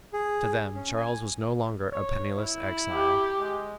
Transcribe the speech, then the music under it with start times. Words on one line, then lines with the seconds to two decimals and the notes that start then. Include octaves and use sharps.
To them Charles was no longer a penniless exile.
0.13 G#4
0.75 C#4
0.96 G#5
1.92 C#5
2.37 E4
2.92 G4
3.39 G#3